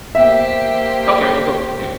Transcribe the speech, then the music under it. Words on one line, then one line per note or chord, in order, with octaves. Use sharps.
okay, we'll go, okay,
A#3 G4 C5 E5